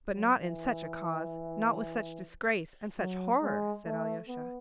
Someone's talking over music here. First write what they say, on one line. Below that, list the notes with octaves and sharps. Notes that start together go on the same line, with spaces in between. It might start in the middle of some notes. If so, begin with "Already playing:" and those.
"But not in such a cause, not with such disgrace and such horror!" said Alyosha.
F#3
E3
F#3
G#3
A3
B3